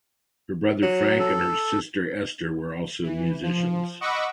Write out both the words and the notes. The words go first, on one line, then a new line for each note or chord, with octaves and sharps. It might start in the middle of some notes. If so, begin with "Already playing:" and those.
Her brother Frank and her sister Esther were also musicians.
F#3
A4
E3
F3
D#5 F#5 B5 C#6 D6 E6